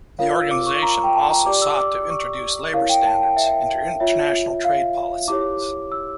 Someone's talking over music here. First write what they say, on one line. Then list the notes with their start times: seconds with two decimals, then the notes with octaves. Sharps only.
The organization also sought to introduce labour standards into international trade policies.
0.19 F4 A#4 C#5 F5
0.35 E6
0.51 D6
0.66 C#6
0.82 A#5
0.94 A#5
1.04 G5
1.15 A5
1.30 A#5
1.46 G4 D5 D6
1.62 E6
1.78 D6
2.10 C#6
2.74 E4 A#4 C#5 F5
2.89 G5
3.06 A5
3.21 G5
3.37 E5
4.00 F4 C#5 E5
4.65 F5
5.28 E4 G4 C#5 D6
5.92 E6